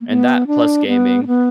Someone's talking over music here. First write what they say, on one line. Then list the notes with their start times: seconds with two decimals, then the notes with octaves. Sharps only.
and that plus gaming.
0.01 A#3
0.08 B3
0.47 D4
0.87 B3
1.23 D4
1.27 B3